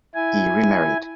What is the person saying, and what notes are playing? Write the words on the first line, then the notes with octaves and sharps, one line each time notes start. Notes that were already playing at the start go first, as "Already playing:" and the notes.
He remarried.
E4 G#5